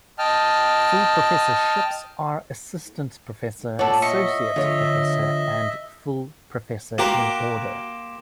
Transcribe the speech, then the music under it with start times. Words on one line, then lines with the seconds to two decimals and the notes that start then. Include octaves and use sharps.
Full professorships are assistant professor, associate professor, and full professor in order.
0.19 D#5 G5 A5 F6
3.79 A#2 A4 C#5 D5 F#5
4.02 D#5 E5 C#6
4.56 D3 F3 F4 C#5
6.98 A#3 F#4 G4 G5 A#5 C6 D6 E7